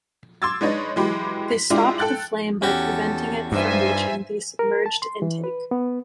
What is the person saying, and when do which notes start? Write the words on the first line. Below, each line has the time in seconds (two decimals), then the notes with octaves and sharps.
They stop the flame by preventing it from reaching the submerged intake.
0.42 C6 D6 E6 G#6 A6
0.61 G#3 D4 D#4 B4 C#5 D#5
0.96 E3 F#3 G#3 G4 B5
1.51 B6
1.70 G#3 D4 E4 F4 G4
1.98 A4 G5 F#6 A6 F#7
2.62 E2 C#4 F#4 G4 A4
3.52 G2 D#4 F4 C5 E5 G#5
4.59 A#4
4.86 A5
5.02 C6
5.22 E3
5.44 B4
5.71 B3